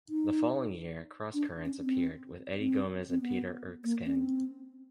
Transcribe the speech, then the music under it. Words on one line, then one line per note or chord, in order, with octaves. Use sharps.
The following year "Cross Currents" appeared, with Eddie Gomez and Peter Erskine.
D#4
D4
C#4
C4
C4
C4
B3
A#3
C#4
C4